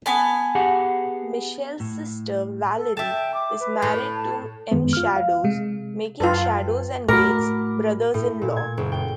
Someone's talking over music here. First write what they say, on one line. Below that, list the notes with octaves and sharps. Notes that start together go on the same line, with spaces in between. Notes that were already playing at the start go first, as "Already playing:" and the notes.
Michelle's sister, Valary, is married to M. Shadows, making Shadows and Gates brothers-in-law.
B3 G#5 A5
G4 G#4 F#5
A2
A4
E5 G5 A5
D6
B4
A2
A5
F#2 D#3 G#3 B3
F4 F6
F5
C3 G#3
F#2 F4 A4 B4 G5
A2 A3 F#4 A#4 B5 D6
A2
A#2
G#6
F#1
G5